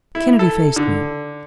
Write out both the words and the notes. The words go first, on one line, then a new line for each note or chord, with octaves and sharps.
Kennedy faced me.
E4
A4
D3